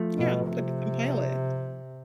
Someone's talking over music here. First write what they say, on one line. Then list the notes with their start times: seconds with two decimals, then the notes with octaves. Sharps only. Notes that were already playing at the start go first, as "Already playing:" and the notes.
Yeah. Put compile it.
Already playing: F3 A3
0.18 B2
0.47 C3